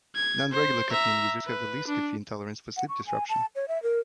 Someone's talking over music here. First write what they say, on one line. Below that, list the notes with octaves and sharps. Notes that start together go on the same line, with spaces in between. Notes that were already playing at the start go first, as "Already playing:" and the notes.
Non-regular caffeine users have the least caffeine tolerance for sleep disruption.
G#6
C5
E5 A#5
B4
D4
F#5
C#6
G#5
A5
C#5
E5
A#4